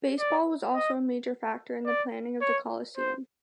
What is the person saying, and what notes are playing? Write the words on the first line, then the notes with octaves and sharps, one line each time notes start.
Baseball was also a major factor in the planning of the Coliseum.
D5
D#5
D5
C#5
C5